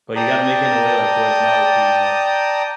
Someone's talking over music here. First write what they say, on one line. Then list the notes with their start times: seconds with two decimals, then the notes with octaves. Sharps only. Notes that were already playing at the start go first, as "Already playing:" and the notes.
But you gotta make it in a way, like, where it's not OP, but
0.16 D5 G5 A5 A#5 D#6